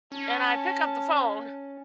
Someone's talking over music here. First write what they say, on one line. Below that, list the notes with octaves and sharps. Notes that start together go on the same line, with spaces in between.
and I pick up the phone.
C#4 A5